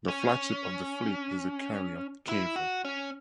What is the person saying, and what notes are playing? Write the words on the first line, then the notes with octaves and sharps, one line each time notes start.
The flagship of the fleet is the carrier "Cavour".
C#4
E4
F#4
C#4